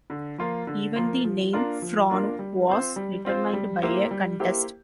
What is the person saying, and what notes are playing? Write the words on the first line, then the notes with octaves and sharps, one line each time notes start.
Even the name "Frohnau" was determined by a contest.
D3
F3 A#3 F4
D3
F3 A#3 F4
F3
A#3 D4 F4 A#4
F3
A#3 D4 F4 A#4
G3
C4 F4 C5
G3
C4 F4 C5
G3
A#3 E4 G4 C5
G3
A#3 E4 G4 C5